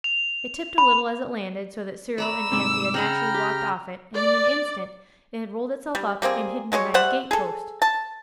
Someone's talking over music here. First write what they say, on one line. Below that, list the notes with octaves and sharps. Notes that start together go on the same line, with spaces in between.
It tipped a little as it landed, so that Cyril and Anthea naturally walked off it, and in an instant it had rolled itself up and hidden behind a gate-post.
F7
B5 F7
D5 A#5 B5 E6
G#2 C3 D6
C#3 F#5 G5 A#5 B5 F6
G4
D5
G3
G3 A#3 C4 G#4
F#3 G#3 G4 C#5
G3 C5 E5 F#5
G#4 A4
A5